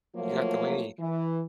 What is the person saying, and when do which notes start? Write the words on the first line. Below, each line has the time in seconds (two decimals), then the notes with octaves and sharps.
You got the way.
0.16 F3 F#3 A3 A#3 F4 C#5
0.99 E3